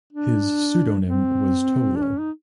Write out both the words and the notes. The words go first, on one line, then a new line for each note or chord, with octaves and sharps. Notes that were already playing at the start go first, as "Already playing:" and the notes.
His pseudonym was "Tolo".
D4
C4
D4
C#4
D#4